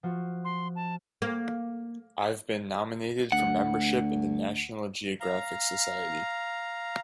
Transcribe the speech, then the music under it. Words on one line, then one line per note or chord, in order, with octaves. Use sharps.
I've been nominated for membership in the National Geographic Society.
F3 F4 F#4
C6
A5
A#3
D2 F#5
F5 A#5